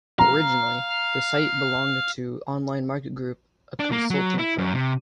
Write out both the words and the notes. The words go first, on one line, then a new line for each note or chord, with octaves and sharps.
Originally, the site belonged to Online Market Group, a consulting firm.
F5 A#5
D4
A#3
F#3
E4
F#2
C3